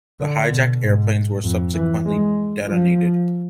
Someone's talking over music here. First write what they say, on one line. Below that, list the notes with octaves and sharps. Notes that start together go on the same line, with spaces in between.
The hijacked airplanes were subsequently detonated.
D3
B2
G#2
F2
E3
G#3
F3